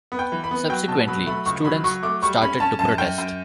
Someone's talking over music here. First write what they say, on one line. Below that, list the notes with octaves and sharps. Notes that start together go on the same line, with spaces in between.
Subsequently students started to protest.
B3
G5
E3
B5
B3
F#3 G5
B2 A5
F#3 B5
A3 B5
C#2 C#6
F#3 B5
F#3 C#6
A3 D6
G3 C#6
C#4 B5
C#4 A5
F#2 A5
F#2 G5
F#2